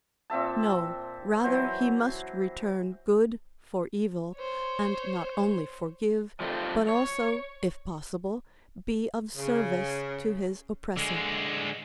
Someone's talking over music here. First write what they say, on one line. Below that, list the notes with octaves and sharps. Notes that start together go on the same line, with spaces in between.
No, rather he must return good for evil, and not only forgive, but also, if possible, be of service to his oppressor.
A#2 C4 E5 A5
E3 F#3 C5
C5 C#5
F3 G3 A3 C4 D4 F4
C#5
C#3
D3 G#3